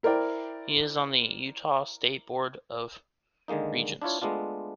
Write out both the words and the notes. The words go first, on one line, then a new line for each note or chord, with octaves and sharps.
He is on the Utah State Board of Regents.
E4 A#4 C5 D5 G5
D3 D#3 G#3 A#3 D#4
D4 E4 F4 C#5
G#3 A3 B3 D4 F4